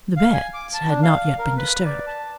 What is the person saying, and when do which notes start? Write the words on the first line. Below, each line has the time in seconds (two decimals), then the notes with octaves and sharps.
The bed had not yet been disturbed.
0.17 F5
0.33 G#5
0.54 D6
0.74 A5
0.89 D4
1.03 F5
1.39 A#4
1.57 B4
1.86 D5
2.07 A5